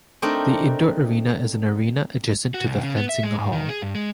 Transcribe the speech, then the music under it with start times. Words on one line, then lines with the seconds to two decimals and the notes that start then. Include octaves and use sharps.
The Indoor arena is an arena adjacent to the Fencing Hall.
0.22 A3 C4 D4 D#4 A#4
2.54 F#4
2.67 C2
2.83 C#3
2.97 B3
3.09 E5
3.23 G#3
3.39 G#2
3.52 D#3
3.69 G#4
3.82 G2
3.95 G#3